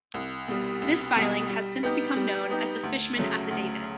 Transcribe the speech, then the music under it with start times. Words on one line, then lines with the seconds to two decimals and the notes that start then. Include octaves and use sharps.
This filing has since become known as the Fishman Affidavit.
0.14 C2
0.48 B2 G3
0.82 C2
1.16 B2 G3
1.49 G3
1.83 B3 D#4 G4
2.16 G3
2.50 B3 D#4 G4
2.83 D2
3.17 C#3 F#3 A3
3.51 D2